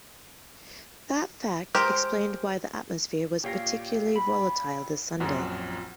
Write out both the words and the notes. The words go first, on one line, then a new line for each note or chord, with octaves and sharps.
That fact explained why the atmosphere was particularly volatile this Sunday.
G#3 G4 A#4 C5
A#2 G4 C#5 F5 G5 A#6
B5
A#1 F#2 F3 C4 F#4